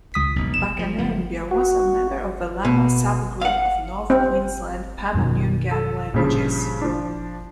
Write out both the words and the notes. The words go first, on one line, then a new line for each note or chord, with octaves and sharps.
Bakanambia was a member of the Lama subgroup of north Queensland Pama-Nyungan languages.
C#2 D#6 B6
F1 B1
E7
F3
F#1 F3 A3
F#4
B2
F5 F#5
C4
F#2 B2 D#3
A4
G2 A#2 C#3 F3
F3 D4